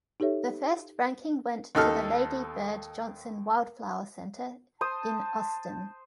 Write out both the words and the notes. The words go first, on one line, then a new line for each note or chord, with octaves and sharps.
The first ranking went to the Lady Bird Johnson Wildflower Center in Austin.
D#4 G4 A4 C#5 E5
D#2 D#4 A4 F6
C5 A5 D#6